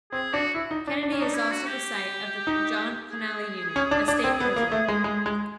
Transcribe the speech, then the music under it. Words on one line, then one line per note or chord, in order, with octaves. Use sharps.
Kenedy is also the site of the John Connally Unit, a state prison.
C4 G#4
D4 F#4
E4
D#4
D4
D4
C#4
D4 D#4
E4
F#4
G4
D#4
G#4
C#4
D4
D4
C4
B3
A#3
A3
G#3
G#3
G#3